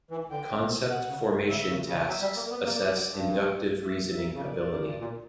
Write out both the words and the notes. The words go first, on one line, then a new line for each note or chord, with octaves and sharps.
Concept Formation tasks assess inductive reasoning ability.
E3
D3 G5
C#3
B2
B2 F#5
C#3
C#3
C#3 E5
C#3
C#3
F#3 E5
G3
A#3
B3
A#3 D5
G3
F#3
G2
E5
E5
C#3
B2 D5
A#2
F#2
G2
A#2